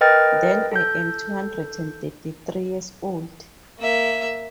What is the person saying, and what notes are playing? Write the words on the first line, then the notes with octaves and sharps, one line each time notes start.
Then I am two hundred and thirty-three years old!
A#4 B4 D#5 G5 F6 A6
A4 G6
A#3 E5